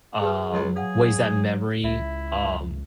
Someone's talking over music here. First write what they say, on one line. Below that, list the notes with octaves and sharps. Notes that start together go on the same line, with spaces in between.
um, ways that memory, um
G#4 B4
C#2 F#3
G#4 F5 F#5
C#2 E4 E5